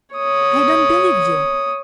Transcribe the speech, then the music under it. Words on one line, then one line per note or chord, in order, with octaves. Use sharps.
I don't believe you!
C#5 D#6